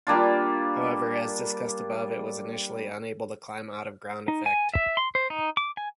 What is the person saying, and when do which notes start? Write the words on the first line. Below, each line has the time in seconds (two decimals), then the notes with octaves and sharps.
However, as discussed above, it was initially unable to climb out of ground effect.
0.07 G3 A#3 D4 F4
4.28 D#4
4.46 G#5
4.74 E5
4.97 C6
5.15 C5
5.30 D#4
5.57 D6
5.77 G#5